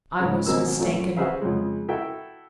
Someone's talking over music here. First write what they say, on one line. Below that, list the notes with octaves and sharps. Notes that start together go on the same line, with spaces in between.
I was mistaken.
G#2 C#3
G#1 B2 F#3 A#3 C4 E6
F#2 A#2 F#3 A3 C#4 F#4
F#4 G#4 B4 C5 E5 F5
F2 C#3 G#3
E4 F#4 A4 E5 G5